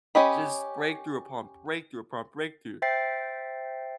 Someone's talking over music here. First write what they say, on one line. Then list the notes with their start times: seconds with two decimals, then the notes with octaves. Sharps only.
Just breakthrough, upon breakthrough, upon breakthrough.
0.15 C#4 G4 D#5 B5
2.82 C5 E5 G5 A6 C7